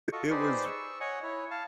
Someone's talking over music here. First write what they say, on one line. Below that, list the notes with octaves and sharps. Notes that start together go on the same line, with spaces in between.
it was
F4 F#4 A4 D#5 C#6
D#4 G4 G#4 B4 C5 D5
C#6 E6
C#5 D#5 F#5 G#5 C#6
E4 C#5
F5 A5